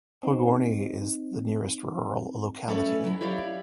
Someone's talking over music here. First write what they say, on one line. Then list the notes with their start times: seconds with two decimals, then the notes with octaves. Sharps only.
Podgorny is the nearest rural locality.
0.23 C4 D#4
2.68 A3 C#4 A4 B4 C#5 D5
3.04 F#3 E4
3.21 E4 G4 C#5 D5 F5